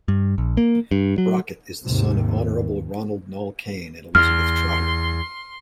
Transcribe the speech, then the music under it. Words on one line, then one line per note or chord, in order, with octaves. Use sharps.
Brocket is the son of Honorable Ronald Nall-Cain and Elizabeth Trotter.
G2
A#1
A#3
G2
F#3
D#2 G#2 C3
E2 C6 F6